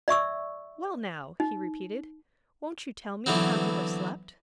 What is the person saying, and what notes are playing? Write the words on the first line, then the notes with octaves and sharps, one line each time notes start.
"Well, now," he repeated, "won't you tell me how you have slept?"
D5 E5 C#6 E6
D#4
D3 E3 F#3 B3 C4